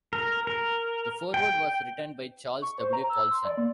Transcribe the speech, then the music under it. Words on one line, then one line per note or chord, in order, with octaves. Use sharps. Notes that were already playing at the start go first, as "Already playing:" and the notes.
The foreword was written by Charles W. Colson.
A#4
A#4
G5
C#6
C5
A#5
E6
C6
D5
A#3